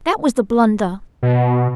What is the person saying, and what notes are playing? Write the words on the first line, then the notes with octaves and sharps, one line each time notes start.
That was the blunder.'
B2